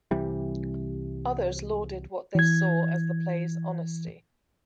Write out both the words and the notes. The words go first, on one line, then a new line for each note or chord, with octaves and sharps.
Others lauded what they saw as the plays' honesty.
C2 C3 E3 G3
E3 G#6